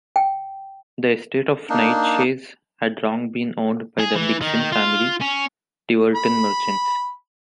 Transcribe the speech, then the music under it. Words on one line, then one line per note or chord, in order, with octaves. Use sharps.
The estate of Knightshayes had long been owned by the Dickinson family, Tiverton merchants.
G5
A#3 D4 D#4
G#4
E3
D#3
F4
C#4
B5